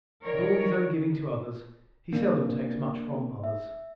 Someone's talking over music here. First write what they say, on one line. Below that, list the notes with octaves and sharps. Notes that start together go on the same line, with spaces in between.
With all his own giving to others he seldom takes much from others.
D#3 A#4 C#5 D5
A#3 D4
E5